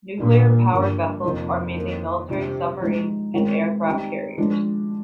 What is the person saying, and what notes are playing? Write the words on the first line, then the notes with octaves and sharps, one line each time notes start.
Nuclear-powered vessels are mainly military submarines, and aircraft carriers.
A#2 D#3 G3 D4
G2 D3 F3 A#3
F2 C3 F3 A#3 D#4
D#3 A#3 D#4
C3 G3 D4 F4
F3 G#3 D#4
D#3 G#3 C4 F4
G3 C4 D#4
F3 G#3 D4